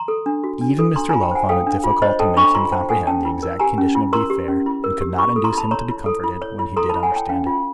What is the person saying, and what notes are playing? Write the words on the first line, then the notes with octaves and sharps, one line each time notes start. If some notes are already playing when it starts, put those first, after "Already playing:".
Even Mr. Low found it difficult to make him comprehend the exact condition of the affair, and could not induce him to be comforted when he did understand it.
Already playing: A#5 C6
A4
D4
F#4
D4
A4
D4 A#5 C6
F4 G#5 A#5
G5 A5
C5 F#5 G#5
A4 F5 G5
D4
F4
C5 C#5 D#5
A4 G5 A5
D4 B5 C#6
F4 A#5 C6
C5 G5 A5
A4 F#5 G#5
C#4 G5 A5
E4
A#4
G4 G#5 A#5
C#4
E4
A#4 A#5 C6
G4
C#4
E4
A#4
G4
E4 B5 C#6
A4
A#5 C6
E4 A5 B5
C#5 A#5 C6
E4
A4
E4
C#5
E4
A4 A#5 C6
E4 A5 B5
F#5 G#5
C#5 G5 A5
C#4 F5 G5
F4